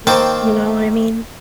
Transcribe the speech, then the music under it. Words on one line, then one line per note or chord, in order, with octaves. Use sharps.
Mm-mm, you know what I mean?
D#3 A#3 C4 C5 A5 D6